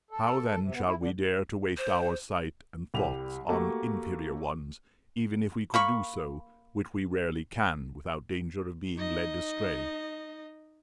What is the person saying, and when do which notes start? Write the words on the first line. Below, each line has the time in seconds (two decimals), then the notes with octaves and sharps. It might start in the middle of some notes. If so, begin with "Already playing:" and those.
How then shall we dare to waste our sight and thoughts on inferior ones, even if we could do so, which we rarely can, without danger of being led astray?
0.11 A4
0.46 A4
0.62 C3
0.73 B3
0.85 E4
0.98 D3
1.78 C5
2.94 C2 G3 G4 F7
3.49 A3 A#3 F#4 G4
5.74 A#3 B5 C#6
8.97 D#4 D#5